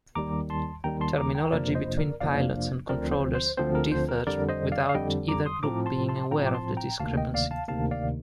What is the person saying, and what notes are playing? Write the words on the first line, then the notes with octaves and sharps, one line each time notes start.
Terminology between pilots and controllers differed without either group being aware of the discrepancy.
D#2 D#3 G3 A#5 D6
A5 C6
D#2 D#3 G3 G5 A#5
A5 C6
A#5 D6
G5 A#5
F2 C3 F3 A#3 D4 A#4 D5
C5 D#5
A#4 D5
F2 C3 F3 A#3 D4 D5 F5
D2 D3 F3 C4 A#4 D5
C5
C5
D2 D3 F3 C4 C5
A#4
C5
A#4
F2 D3 G3 A#4 D5
C5 D#5
D5 F5
F5
F2 D3 G3 D#5 G5
A#5 D6
C6 D#6
A2 F3 C4 A#5 D6
A5 C6
A5 C6
A2 F3 C4 G5 A#5
D6
A5 C6
G5 A#5
D2 C3 D#3 A#3 F5 A5
D#5 G5
D5 F5
F5 A5
D2 C3 D#3 A#3 F5 A5
D5 F5